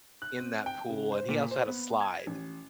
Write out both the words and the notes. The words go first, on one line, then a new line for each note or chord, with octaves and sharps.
in that pool, and he also had a slide.
F#6
C4
G5
C#3
C5
A#2
C5
B3
G#6
A1